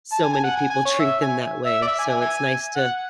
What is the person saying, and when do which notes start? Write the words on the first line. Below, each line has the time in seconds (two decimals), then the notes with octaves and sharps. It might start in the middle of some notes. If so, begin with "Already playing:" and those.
so many people treat them that way. So it's nice to,
0.12 A5
0.23 G#5
0.34 G#5
0.44 F#5
0.56 G#5
0.70 G#5
0.86 C#5
1.00 E5
1.22 G#5
1.66 E5
1.82 D5
1.87 E5
1.99 G#5
2.10 G#5
2.21 E5 G#5
2.76 F#5